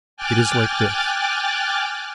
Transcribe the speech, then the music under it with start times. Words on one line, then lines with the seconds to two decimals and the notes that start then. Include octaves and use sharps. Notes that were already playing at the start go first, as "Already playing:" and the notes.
It is like this.
0.17 G5 G#5 D6 F6 F#6 A6